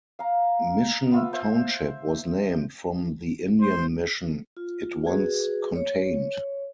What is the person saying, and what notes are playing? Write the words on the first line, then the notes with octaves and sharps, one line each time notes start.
Mission Township was named from the Indian mission it once contained.
F5 A#5
B3 F4 E5
C5 E5
C5
F4
F#4 G#4 B4
C#5